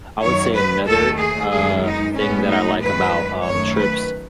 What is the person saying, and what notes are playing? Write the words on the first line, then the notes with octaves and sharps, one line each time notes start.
I would say another, uh, thing that I like about, um, trips
F#2 D#3 F#3 A3 C#5
B4
D#2 D#3 A3 A4
G#4
F#2 D#3 G#3 B3 G#4
D#4
A2 G#3 B3 C#4
D#4
F#2 D#3 G#3 B4
F#2 D#3 A3 C#5
B4